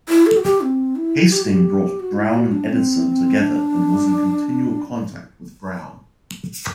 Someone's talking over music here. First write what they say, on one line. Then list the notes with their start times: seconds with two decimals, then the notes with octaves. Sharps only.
Hasting brought Brown and Edison together and was in continual contact with Brown.
0.09 E4
0.26 A4
0.36 F#4
0.44 G4
0.61 C4
0.96 E4
1.30 G4
1.42 F#4
1.53 G4
2.00 F#4
2.16 E4
2.34 F#4
2.52 D4
2.69 C4
3.38 D4